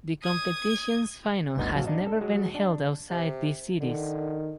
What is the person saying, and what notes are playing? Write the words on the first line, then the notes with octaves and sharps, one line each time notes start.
The competition's final has never been held outside these cities.
D#6 G#6
G1 D2 D3 B3 D#4 D#5
A#1 F#3 F5 A5
D4 D#4
A4
F#3 G#3
D4
C3
D3 D#3